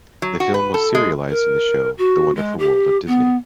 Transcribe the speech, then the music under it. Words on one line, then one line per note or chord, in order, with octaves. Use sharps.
The film was serialized in the show "The Wonderful World of Disney".
F#3
F#4
B4
A4
G#3
A#4
F#4
G#3
G4
B3